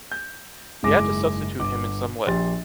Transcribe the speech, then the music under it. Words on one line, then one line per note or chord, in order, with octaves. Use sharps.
He had to substitute him in some way.
G6
F#1 G#2 G#3 E4 D6 A#6
G1 D6
A#1 G4 C6 A6